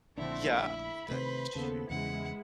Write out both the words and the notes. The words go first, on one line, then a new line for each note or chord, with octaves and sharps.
Yeah, that too.
A#1 D3 A3 C4 D4 E4
B5
C3 D#3 A3 B4 C5
D#2 C#3 A#3 B3 A4
E2 C#3 G#3 E4 F#5